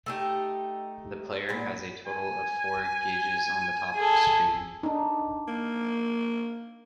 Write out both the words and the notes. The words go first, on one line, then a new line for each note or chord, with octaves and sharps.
The player has a total of four gauges on the top screen.
A3 D#4 G4
A#2 B3
G#5
G#4 A4
D4 D#4
A#3